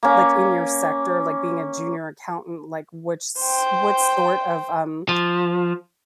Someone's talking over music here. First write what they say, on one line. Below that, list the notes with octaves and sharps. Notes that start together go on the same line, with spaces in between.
like in your sector, like being a junior accountant, like which s what sort of, um,
A#3 C#4
C5 G5
F3